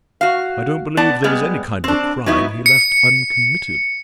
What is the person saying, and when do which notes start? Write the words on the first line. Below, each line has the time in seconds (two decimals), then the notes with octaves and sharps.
I don't believe there was any kind of a crime he left uncommitted.
0.21 F#4 F5
0.97 B3 D5 A5
1.24 G3 G#3 B3
1.84 C4 D4
2.26 F#3 B3 D#4 E4
2.66 C#7